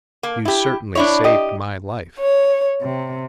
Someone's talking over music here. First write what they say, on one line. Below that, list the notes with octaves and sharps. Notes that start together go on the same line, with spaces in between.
You certainly saved my life.
A#3
E4 G4
D4 E4 C#5
G4 D#5
C#5
C3